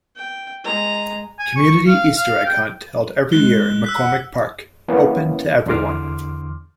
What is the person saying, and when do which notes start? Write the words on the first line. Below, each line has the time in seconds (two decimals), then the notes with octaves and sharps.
Community Easter Egg Hunt held every year in McCormick Park, open to everyone.
0.16 G5
0.64 G#3 A#5
1.39 G#5
1.56 C#6
1.88 F5
2.16 F5
2.45 G5
3.32 G#3 F#6 G7
3.84 E6 F#6 B6
3.97 F#5
4.88 E3 A#3 B3 C#4
5.66 E2 D3 C6 D6 F6